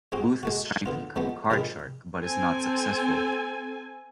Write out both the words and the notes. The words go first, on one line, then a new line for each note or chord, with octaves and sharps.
Booth is trying to become a "card shark", but is not successful.
G#3 C4 D#4 F#4
G#3 A3 F#4
D3 B3 F4
F3 G#3 A3 B3
G2 F3 G3 G#3 A#4 B5
C4 A4 G#5